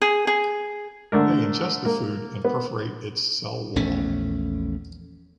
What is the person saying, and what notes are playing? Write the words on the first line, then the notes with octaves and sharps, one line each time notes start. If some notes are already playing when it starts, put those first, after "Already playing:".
They ingest the food and perforate its cell wall.
G#4
G#4
D3 A3 D4 A#4
A#3 A#4
B3
A#1 E2 A3 C#4